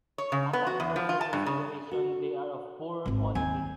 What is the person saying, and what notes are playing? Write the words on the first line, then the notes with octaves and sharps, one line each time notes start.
Upon closer consideration, they are of poorer quality.
C#5
C#3
B3
F#4
E2
F3
F4
A5
G2
C#3
F#4
G#1 C4
D#2 C4 G#5